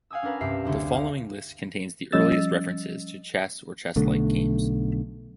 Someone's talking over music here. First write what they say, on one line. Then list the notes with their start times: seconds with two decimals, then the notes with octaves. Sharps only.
The following list contains the earliest references to chess or chess-like games.
0.10 F5 F#5 G#5 D#6 E6
0.23 C#4 D4 A#4 B4 F#5
0.41 C2 G2 G4 E5 C7
0.65 F#1 D2 A3 C#5
0.93 F5
2.12 F3 G3 C#4 D#5 E6 A6
3.96 B1 D3 A3